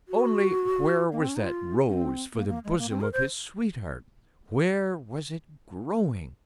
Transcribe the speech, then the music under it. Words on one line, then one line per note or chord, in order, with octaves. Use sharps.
Only, where was that rose for the bosom of his sweetheart--where was it growing?
F#4
A#3
C4
C#4
D#4
F4
C#4
C4
A#3
A#3
G#3
A#3
C4
A#4
C5